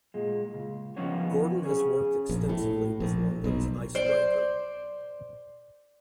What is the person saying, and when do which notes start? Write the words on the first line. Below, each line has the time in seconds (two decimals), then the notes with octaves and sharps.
Gordon has worked extensively with London's Icebreaker.
0.14 A#2 G#3
0.53 C#2
0.97 D#3 F3 B3 C#4 D#4 C#5
1.64 C#4 G#4 C#5
2.29 A#1
2.49 A2
3.00 A#1
3.44 B1
3.95 C5 D5